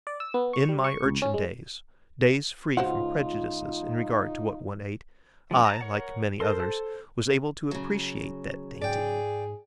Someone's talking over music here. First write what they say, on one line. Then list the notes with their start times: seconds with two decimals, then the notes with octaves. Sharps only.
In my urchin-days, days free from prejudices in regard to what one ate, I, like many others, was able to appreciate that dainty.
0.07 D5
0.20 E6
0.34 B3
0.53 C#6
0.69 G3
0.84 C#6
1.05 C#2
1.22 C#4
1.34 G#3
2.77 C#2 D#4 F4 F#4 C5 F#5 C6
5.51 F3 G#3 C#4
5.65 A5 A#5
5.81 A#4 C#5 F#5
6.40 A4 A#4 C5 C6
6.59 A4
7.71 C#3 F#3
8.82 G#2 G#4 D5 G5